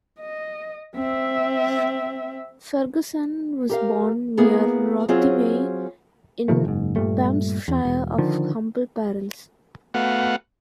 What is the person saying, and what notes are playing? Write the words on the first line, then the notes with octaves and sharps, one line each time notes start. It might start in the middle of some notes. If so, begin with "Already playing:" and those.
Ferguson was born near Rothiemay in Banffshire of humble parents.
D#5
C4 E5
G4 A#4 F5
A#3 B3 E4 G#4 A#4
F#3 C4 C#4 F4 G#4
C3 D#3 F3 A3
F#1 G#2
G2 A#2 G3 A3
E2
E1
D3 D#3 F3
A3 B3 F#4 F5 F#5